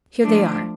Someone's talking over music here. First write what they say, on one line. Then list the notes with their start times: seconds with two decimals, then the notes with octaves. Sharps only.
"Here they are."
0.23 F3 A3 D4